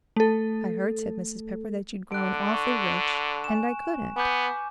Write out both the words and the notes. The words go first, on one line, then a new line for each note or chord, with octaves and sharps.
"I heard," said Mrs. Pepper, "that you'd grown awfully rich, and I couldn't."
A3 A4
D3 F#6 D7
C#6
G#5 E7
B3 G#5 D6 G6